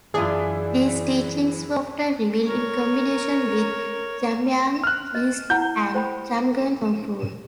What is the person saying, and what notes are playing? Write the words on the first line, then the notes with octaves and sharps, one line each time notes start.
These teachings were often revealed in combination with Jamyang Khyentse and Jamgon Kongtrul.
F#2 E3 D4 E4 F4 G#4
A#4 C#5
F6 F#6
D#5
E4 F#5 A#5 G6
C5 G5 B5